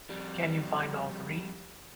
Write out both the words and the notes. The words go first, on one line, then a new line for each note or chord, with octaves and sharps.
Can you find all three?
F2 G3